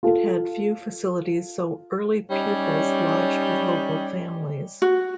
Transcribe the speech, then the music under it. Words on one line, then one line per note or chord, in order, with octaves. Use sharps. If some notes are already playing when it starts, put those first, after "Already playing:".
It had few facilities so early pupils lodged with local families.
F4 A4
G3 C#4 D#4 C#5 D5
F#4